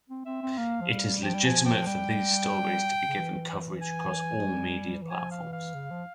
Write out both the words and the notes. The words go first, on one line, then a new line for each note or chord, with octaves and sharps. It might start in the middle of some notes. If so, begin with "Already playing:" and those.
It is legitimate for these stories to be given coverage across all media platforms.
C4
C4 E5
C4
A#3 F5
F3
G3
F3 G5
G3
F3 G#5
G5
F3
G3 G5
C#3
E3
G#5
F3
G3
E3
F3 G#5
F5
E3
F5
C#3
F3